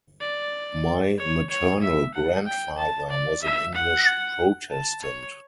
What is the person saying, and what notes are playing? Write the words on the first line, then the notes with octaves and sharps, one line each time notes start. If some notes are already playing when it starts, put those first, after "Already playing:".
My maternal grandfather was an English Protestant.
D5
C#5
C#5
E5
F#5
G5
A5
D5
E5
F#5
A5
C#5